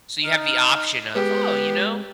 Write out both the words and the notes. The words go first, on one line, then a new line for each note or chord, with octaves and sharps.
So, you have the option of, "Oh, you know,
D#4 F6
G#3 B3 G4